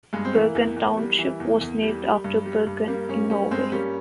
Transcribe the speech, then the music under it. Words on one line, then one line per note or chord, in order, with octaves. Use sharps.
Bergen Township was named after Bergen, in Norway.
G2 G#3
C4
E3 A#3
E2
E2
G3
E3
E2
E2
G3
G3
G2
G3
G2
G3 A#3
G2 A#3 C#4
G3 A#3 C#4
G2 G#3 C4
G3 A#3 C#4